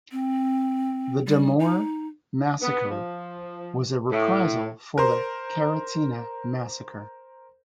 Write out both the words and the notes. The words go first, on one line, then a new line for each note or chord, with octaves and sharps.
The Damour massacre was a reprisal for the Karantina massacre.
C4
G3
D#4
B3
F3
A2
A#4 C5